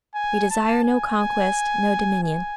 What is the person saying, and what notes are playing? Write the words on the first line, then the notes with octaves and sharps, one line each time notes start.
We desire no conquest, no dominion.
G#5
A5
G#5
G#5